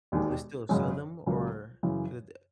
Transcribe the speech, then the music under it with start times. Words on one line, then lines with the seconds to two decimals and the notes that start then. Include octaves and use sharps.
Do they still sell them, or i d
0.12 E1 D#2 D#3 G#3
0.69 G#1 F#2 C#3 G#3 C#4
1.26 C#2 C#3 F#3 A#3
1.83 F#2 C#3 E3